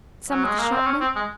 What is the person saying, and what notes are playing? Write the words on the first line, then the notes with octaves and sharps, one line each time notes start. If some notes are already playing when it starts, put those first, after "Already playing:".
Some of the shopmen?'
F#3
G#3
A#3
C4
C#4
C4
G#3